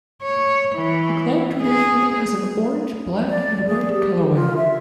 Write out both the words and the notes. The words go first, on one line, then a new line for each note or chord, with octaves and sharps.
The club traditionally has an orange, black and white colourway.
C#5
E3
G#4
D5
G#4
G4
F4
E5